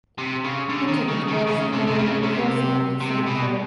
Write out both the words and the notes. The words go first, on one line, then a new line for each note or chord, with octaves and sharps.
Interment was made in Hillside Cemetery.
C3
C#3
D3
D#3
C#3
D#3
C#3
C3
C3
C#3
C3
C3
B2